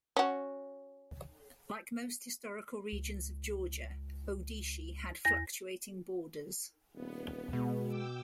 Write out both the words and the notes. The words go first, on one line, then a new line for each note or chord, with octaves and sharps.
Like most historical regions of Georgia, Odishi had fluctuating borders.
C#4 F#4
C#2
E2 A#6
D#1 B3
B2 G#3
G5 D6 E6